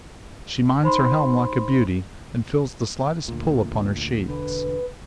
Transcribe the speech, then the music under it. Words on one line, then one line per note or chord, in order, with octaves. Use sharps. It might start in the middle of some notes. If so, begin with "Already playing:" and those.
"She minds her helm like a beauty, and feels the slightest pull upon her sheets."
D#4 C5 B5 C6
D2 A#2
E1 D3 B4